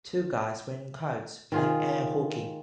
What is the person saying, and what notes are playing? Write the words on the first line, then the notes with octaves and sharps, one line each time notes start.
Two guys wearing coats playing air hockey.
D#3 F4 G#4